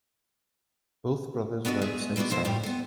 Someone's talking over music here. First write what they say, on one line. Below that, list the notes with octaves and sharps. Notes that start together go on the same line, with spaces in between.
Both brothers wear the same size.
B3 D4 F#4 A4 D#5
G#3 A3 B3 G#4 E5
E3 G#3 B3 F#4 D5
B2 F3 A#3 C5 E5
A2 G3 E4 G4
B3 A4